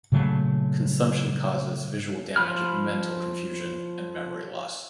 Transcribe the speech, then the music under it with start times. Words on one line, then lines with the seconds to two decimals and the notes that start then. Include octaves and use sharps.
Consumption causes visual damage, mental confusion, and memory loss.
0.12 A#2 C#3 F#3 A3
2.36 F3 F4 B5 F6